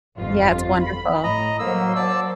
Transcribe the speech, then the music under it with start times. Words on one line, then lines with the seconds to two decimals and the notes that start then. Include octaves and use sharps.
Yeah, it's wonderful.
0.17 G1 F2 F4
0.82 B5
1.24 A2 D#5 A#5
1.59 F#3 A#3 C5 E6
1.96 D5 A5 E6